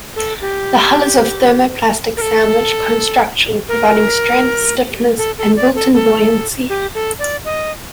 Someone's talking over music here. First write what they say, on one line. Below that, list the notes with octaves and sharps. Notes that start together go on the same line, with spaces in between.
The hull is of thermoplastic sandwich construction, providing strength, stiffness, and built-in buoyancy.
A4
G4
A#4
A4
A#4
A4
A4
D5
A4
A4
G4
A4
D5
D#5